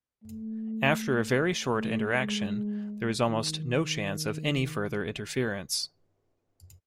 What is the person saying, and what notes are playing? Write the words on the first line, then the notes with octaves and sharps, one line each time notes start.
After a very short interaction, there is almost no chance of any further interference.
A3
A3
G#3
D#3